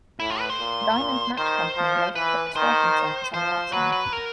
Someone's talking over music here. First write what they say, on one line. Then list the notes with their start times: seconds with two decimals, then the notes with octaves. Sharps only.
The diamond match company later put the striking surface on the outside.
0.20 A2 E4
0.30 F4
0.40 B4
0.50 C5
0.59 A#2
0.98 A#2
1.37 D#3 C5
1.77 F3
2.15 E3 B4
2.56 D#3 C5
3.33 F3 C5
3.72 F#3 B4
3.92 B4
4.13 A#4